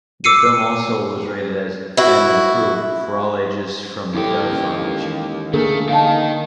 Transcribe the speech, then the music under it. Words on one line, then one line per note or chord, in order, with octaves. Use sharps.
The film also was rated as "Family-Approved" for all ages from the Dove Foundation.
D6 E6 C7 C#7 D#7
E4 F#4
D#2 E4 G4 A4
A4
C#4
E3 G#3 D#4
D3 A3 A#3 D4 G#4 A#4
D#3 D#4 F5 A5